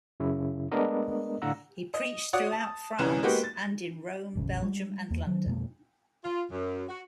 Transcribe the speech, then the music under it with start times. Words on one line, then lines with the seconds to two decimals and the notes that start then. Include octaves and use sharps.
He preached throughout France and in Rome, Belgium, and London.
0.20 F#2 C#3 E4
0.71 G#3 A3 B3 D4 A#4 D#5
1.42 A2 D3 F5 F#5 A#5 E6
1.94 D#5
2.33 F#4 C#5 D5 F#5 D#6
2.52 A5
2.98 G1 C2 E3 C#4 F#6 E7
3.23 G#3 A#3 B3 F#4 G4
3.44 A6
4.35 E1 A1 C#3
4.62 G3 G#3
5.10 E2 A#3
5.27 D#3 F#3
5.46 F2 B2 G#3 A#3
6.25 F4
6.51 F#2
6.89 F#4